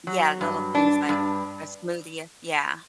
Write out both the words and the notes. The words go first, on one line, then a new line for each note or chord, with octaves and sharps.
Yeah, little things like a smoothie, a yeah.
F#3
G2
D4
G2